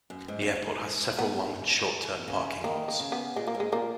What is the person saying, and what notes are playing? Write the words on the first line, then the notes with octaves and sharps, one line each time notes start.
The airport has several long and short term parking lots.
F#2
G#2
F#2
G#2
B3
C#3
D#3 A#3
A#3
C#3
B3
A#2 G#3
A#3
G#2
G#3
A#2 A#3